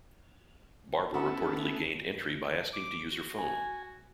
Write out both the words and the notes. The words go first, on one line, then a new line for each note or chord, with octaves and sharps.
Barbara reportedly gained entry by asking to use her phone.
B3 C#4 E4 A4 F#5
D6
F#4
G#5